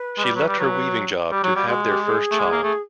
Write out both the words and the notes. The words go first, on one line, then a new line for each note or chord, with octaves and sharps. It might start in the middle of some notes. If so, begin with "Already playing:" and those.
She left her weaving job to have their first child.
Already playing: B4
G#3
G3
F#3
G3
F#3
G3 G4
F#3 G4
F#4
G3
G#3 F#4
G4
G#4
A3
G#3
A#3
A3